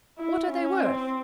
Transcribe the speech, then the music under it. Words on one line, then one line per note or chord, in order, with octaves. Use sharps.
"What are they worth?"
E4
C#4
C4